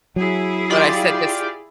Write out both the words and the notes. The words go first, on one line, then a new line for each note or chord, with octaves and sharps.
But I said this
F#3 E4 G#4
F4 G4 D5